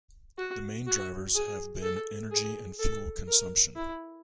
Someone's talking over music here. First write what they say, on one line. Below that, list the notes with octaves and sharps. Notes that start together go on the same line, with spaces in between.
The main drivers have been energy and fuel consumption.
F#4
F#4
G#4
A4
G#4
A4
A#4
E4